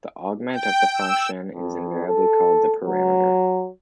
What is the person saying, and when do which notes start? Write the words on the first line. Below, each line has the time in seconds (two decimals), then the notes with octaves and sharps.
The argument of the function is invariably called "the parameter".
0.52 G5
0.94 E6
1.54 F2
2.07 A4
2.86 F#3